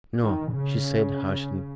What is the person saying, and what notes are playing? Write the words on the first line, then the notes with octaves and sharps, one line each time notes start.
"No!" she said harshly.
D#3
C#3